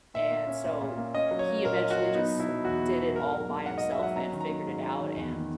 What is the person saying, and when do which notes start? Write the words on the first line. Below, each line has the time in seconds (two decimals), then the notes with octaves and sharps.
And so he eventually just did it all by himself and figured it out and
0.14 A#2 E5
0.31 A#3
0.47 C#4
0.65 A#2
0.81 A#2
0.98 A#3
1.14 C#4 D#5
1.31 F#3
1.39 C#5
1.49 A#3
1.65 A#2 A#4
1.82 C#4
1.91 F#4
1.98 F#3
2.14 B3 D#4
2.32 B2
2.40 E4
2.49 F#3
2.65 E2 F#4
2.82 B3
2.99 B2
3.15 G#2 A#4
3.31 F#3
3.49 A#3
3.66 G#2 F#5
3.78 G#2 D#5
3.91 E5
3.99 F#3 F#5
4.15 C#4 A#5
4.33 D#3
4.41 A#5
4.49 A#3
4.65 G#2
4.83 C#4
5.00 D#3
5.16 E2
5.33 D#3